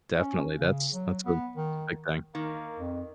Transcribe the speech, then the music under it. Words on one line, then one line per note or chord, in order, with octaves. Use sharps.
Definitely, that's that's a that's a big thing.
C#4
C#3
F#3
B3
D#3
D#3 A#3
F2